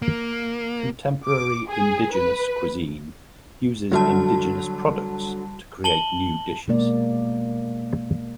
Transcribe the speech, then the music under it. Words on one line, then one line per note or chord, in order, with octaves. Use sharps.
Contemporary indigenous cuisine uses indigenous products to create new dishes.
A#3
D6
G#4
B4
D3 F#3 G3 F#4 A5
A5 F#7 G7
B2 G#3 A#3 D5